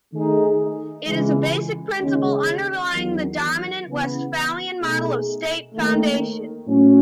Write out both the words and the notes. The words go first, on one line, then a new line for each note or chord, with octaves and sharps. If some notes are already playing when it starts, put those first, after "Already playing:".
It is a basic principle underlying the dominant Westphalian model of state foundation.
D#3 A3 D#4 G#4
C#2 C#3 E3 G#3
D#2 C#3 G#3 C#4
E2 D#3 F#3
C#3 E3 B3
B2 A3 D#4 G#4
D#2 D#3 A3
A2 F#3 C#4